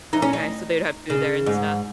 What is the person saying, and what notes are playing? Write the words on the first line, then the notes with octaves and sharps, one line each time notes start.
Okay, so they'd have food there and stuff?
D#4
C#4
D#4
C#3
G#2